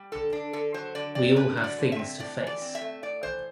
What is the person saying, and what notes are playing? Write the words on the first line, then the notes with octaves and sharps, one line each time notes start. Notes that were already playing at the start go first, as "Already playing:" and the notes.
We all have things to face.
Already playing: G3
D3 A4
D4
D3 A4
F#3 C5
D3 D5
C4 D5
D3 B4
F#3
D5
D3
E5
C4
A2 D5
E3
D5
C4
E5
A3
A2 D5
E3 C5